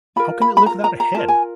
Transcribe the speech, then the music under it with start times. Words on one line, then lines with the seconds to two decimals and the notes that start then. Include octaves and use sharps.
How can it live without a head?
0.16 F4 B5
0.19 A#4
0.41 B5
0.57 B5
0.66 F4 A#4 A#5
0.84 A#5
1.00 A#5
1.15 F4 A#4 A5
1.28 G#5